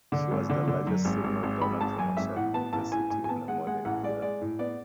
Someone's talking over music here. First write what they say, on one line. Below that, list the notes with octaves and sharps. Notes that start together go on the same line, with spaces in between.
She was the largest single donor to Marshall University in the modern era.
D3
G#1
D3
D3
F#2
G#1
G#1
G#1
G#1 B5
G#1 A5
F#2 G#5
G#1 E5
A2 F#5
B3 A5
A1 A5
A2 G#5
A2 G#5
G#5
B3 A5
G#3 F#5
G#3 F#5
A1 F#5
G#3 D5
G#3 D5
A2
B3 D5